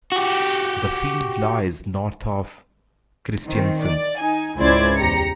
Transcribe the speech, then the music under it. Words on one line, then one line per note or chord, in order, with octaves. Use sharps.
The field lies north of Kristiansund.
F#4 G4
D#3 C4
D5
D#4 G#5
G#1 C#2 E4 C5 D5 G#6
E2 G4 A#5 C#7